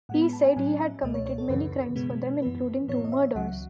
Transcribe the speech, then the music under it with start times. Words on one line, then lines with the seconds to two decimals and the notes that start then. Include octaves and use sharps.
He said he had committed many crimes for them, including two murders.
0.09 A2 G#3 B3 F#5
0.22 B5
0.33 A5
0.45 G#5
0.56 A2 F#3 C#4 G#5
0.80 E5
1.03 C#2 B2 A3 D#5
1.14 C#5
1.26 C#5
1.38 A4
1.49 F#2 C#3 E3 B4
1.96 B2 G#3 B3
2.42 F#2 E3 B3 B4
2.88 A2 E3 B3 C#5
3.04 D#5
3.12 E5
3.35 C#2 C#3 F#3 F#5